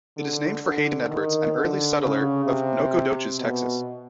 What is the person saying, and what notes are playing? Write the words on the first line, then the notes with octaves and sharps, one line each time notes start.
It is named for Haden Edwards, an early settler of Nacogdoches, Texas.
D3
D3
D#3
D3
C#3
C3
B2